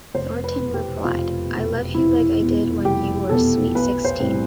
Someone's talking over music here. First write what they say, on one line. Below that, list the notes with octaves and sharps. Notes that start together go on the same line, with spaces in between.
Thornton replied, I love you like I did when you were sweet sixteen.
F1 C5
B4
E2 B2
G4
F1 F4
E2 B2
F1 E4
E2 B2
F1 G4
E2 B2 A4
B1 B4
C5
A2 G3 C4